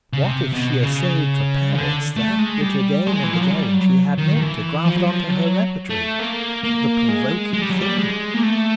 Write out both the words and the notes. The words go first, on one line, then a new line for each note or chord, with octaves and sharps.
What if she essayed for Paris that which again and again she had meant to graft on to her repertory--the Provoking Thimble?
C#3
C3
B2
C#3
D3
A3
G#3
G3
G#3
E3
F3
F#3
G3
F#3
D#3
D#3
E3
F3
F#3
F3
F#3
A3
A#3
A#3
G#3
G#3
G3
F#3
G3
G#3
A#3
A3